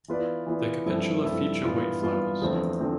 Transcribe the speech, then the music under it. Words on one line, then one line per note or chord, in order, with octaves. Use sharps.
The capitula feature white flowers.
E3 B3 F4 B4 D5
E3 B3 F4 B4 D5
G2 F3 C4 E4 A4
G2 F3 C4 E4 A4
G2 E3 B3 F4
G2 E3 B3 F4
E2 D3 F3 A3 C4
D3 F3 A3 C4